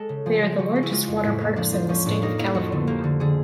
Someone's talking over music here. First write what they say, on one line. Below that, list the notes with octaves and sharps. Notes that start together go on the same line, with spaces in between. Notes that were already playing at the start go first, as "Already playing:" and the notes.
They are the largest water parks in the state of California.
Already playing: G#3 A4
C#3
F3 G#4
F3
F3 F#4
G#3
E4
G#3 F4
F2
A2 E4
A#3
F3 D4
F3
F3 C#4
A2 D4
A#3 D#4
A#3 E4
F2 F#4
D3
A#3 G4
D3
D3 G#4